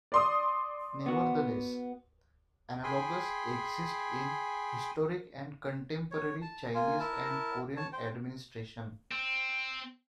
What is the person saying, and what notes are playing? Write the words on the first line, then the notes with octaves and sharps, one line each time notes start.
Nevertheless, analogues exist in historic and contemporary Chinese and Korean administration.
D5 C6 D#6
B3 F#4
G#4 G5 G#5 B5 C6
C#5
A5
A#3 F4 G#5
E4 A#4 A5
C#5 A5
C5 G5
C4